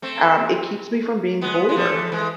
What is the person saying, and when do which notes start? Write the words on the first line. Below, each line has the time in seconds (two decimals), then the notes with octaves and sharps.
um, it keeps me from being bored.
0.02 A3 C4
1.41 G#3 B3
1.69 G#3
1.76 F3 A3
1.92 E3
2.01 F3
2.12 E3 G#3